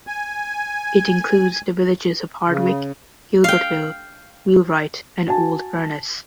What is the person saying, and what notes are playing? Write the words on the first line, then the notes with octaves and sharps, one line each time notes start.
It includes the villages of Hardwick, Gilbertville, Wheelwright and Old Furnace.
G#5
C#3
F5 G5
F#4 G#5 A5